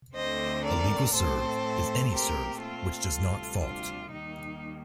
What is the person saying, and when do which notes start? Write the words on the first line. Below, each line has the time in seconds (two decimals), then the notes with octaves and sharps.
A legal serve is any serve which does not "fault".
0.15 D2 D3 A3 C4 C5 D#5
0.65 A#4 D5
1.14 A2 A3 C4 A4 C5
2.13 A#2 A3 C4 G4 A#4
2.63 F4 A4
3.13 D2 C3 G3
3.62 D4 F4
4.12 D#2 D#3 G3 A#3 D#4